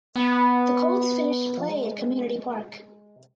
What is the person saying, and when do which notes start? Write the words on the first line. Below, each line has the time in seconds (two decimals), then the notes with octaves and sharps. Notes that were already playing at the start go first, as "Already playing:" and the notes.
The Colts finished play at Community Park.
0.16 B3
1.58 F3
1.69 G#3
3.16 C3